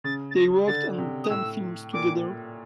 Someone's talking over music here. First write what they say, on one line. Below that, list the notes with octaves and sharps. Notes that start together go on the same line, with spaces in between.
They worked on ten films together.
C#3 A6
A6
A#6
D3 A6
C3
D#6
A2 E6
A#2 D6